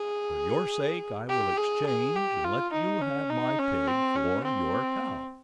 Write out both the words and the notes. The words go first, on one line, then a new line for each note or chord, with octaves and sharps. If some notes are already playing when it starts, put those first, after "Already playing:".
"For your sake, I will exchange, and let you have my pig for your cow."
Already playing: G#4
G4
G#4
G#4
G4
F4
D#4
C#4
D#4
C#4
C4
C#4
C4